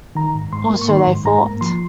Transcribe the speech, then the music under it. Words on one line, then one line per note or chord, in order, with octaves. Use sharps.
Or so they thought.
D#3 A#5
G#2
G#2 C6
A#3
C#6
D#3 C6
G#2
G#2 A#5
A#3
F3 C6